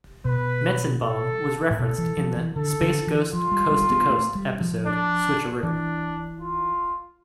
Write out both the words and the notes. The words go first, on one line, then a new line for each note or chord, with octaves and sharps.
Metzenbaum was referenced in the "Space Ghost Coast to Coast" episode "Switcheroo".
B2 B4
A4
A2
B2 A4
E3
F3
E3
D3 A4
D3
E3
F3 F4
G3
G3
B3
A3
G3
F3
D4
E3 D4
F4